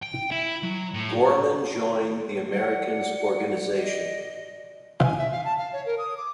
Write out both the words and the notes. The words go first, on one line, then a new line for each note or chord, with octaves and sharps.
Gorman joined the Americans' organization.
G5
E4
F#3
A2
D5 F#5
D#5
G#5
E5
F5
A5
F5
C#5
A#4
D#6
D6